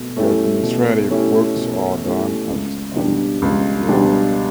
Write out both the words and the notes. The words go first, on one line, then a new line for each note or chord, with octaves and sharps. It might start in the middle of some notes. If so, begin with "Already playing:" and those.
The administrative works are done at Alipurduar.
Already playing: B2 A3
A3 C#4 E4 G4
B2
A3 C#4 E4 G4
B2
A3 C#4 E4 G4
C#2
B2 G3 D4 G4
C#2
B2 G3 D4 G4